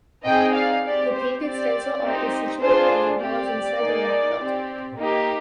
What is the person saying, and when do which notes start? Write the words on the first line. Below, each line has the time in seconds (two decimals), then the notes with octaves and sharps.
The painted stencil art is situated on the walls inside the rock shelter.
0.25 C4 D#4 G#4 D#5 G5
0.54 D5 F5
0.84 C4 G4 D5
1.13 C5
1.42 C4 G4 D5
2.01 C4 D#4 G4
2.60 D4 F4 G#4 C5
3.19 C4 G4 D5
3.79 A#3 D#4 G#4
4.38 C4 G4
4.96 A#3 D#4 G4